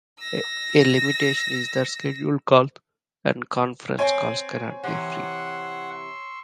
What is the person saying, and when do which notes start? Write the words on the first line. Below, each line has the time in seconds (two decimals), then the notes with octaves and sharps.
A limitation is that scheduled calls and conference calls cannot be free.
0.19 E6 A#6
3.99 C4 C#5 G#5
4.84 C3 E3 F#5 C6 C#6 E6